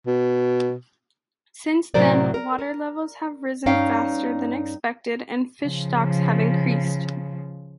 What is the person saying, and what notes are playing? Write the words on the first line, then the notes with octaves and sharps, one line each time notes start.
Since then, water levels have risen faster than expected and fish stocks have increased.
B2
A2 C3 F#3 A#4 C5 D5
A#4
A#4
G2 C#4 D#4 F5 G5
C#3 F3